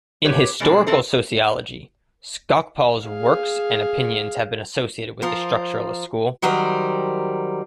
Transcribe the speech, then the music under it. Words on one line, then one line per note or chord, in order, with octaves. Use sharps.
In historical sociology, Skocpol's works and opinions have been associated with the structuralist school.
G4 B4 C#5
B2 G#3 D4
C3 C4 A4 C5
G#4 F5
F3 A#4 C5
D#3 F#3 G3 A#4 C5